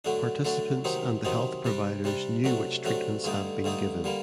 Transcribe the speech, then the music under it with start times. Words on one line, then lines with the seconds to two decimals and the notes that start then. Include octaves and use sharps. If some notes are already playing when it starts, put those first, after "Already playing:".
Participants and the health providers knew which treatments have been given.
0.05 D3 F#3 A3 D4
0.45 D3 F#3 A3 D4
0.84 C3 D#3 F#3 C4 D#4
1.25 C3 D#3 F#3 C4 D#4
1.65 C3 G3 D4
2.04 C3 G3 D4
2.44 C3 F#3 A3 D4
2.85 C3 F#3 A3 D4
3.24 G2 D3 A3 D#4
3.64 G2 D3 A3 D#4
4.04 D3 G3 A#3